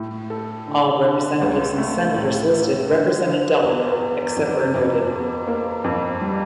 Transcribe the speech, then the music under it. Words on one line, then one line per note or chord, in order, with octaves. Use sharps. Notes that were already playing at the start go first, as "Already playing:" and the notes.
All representatives and senators listed represented Delaware except where noted.
Already playing: A2
A4
D3
D3
C#2
A3
A2
E4
D3
D3
E2
E2
F2
F2
E2
A#3
F2
G3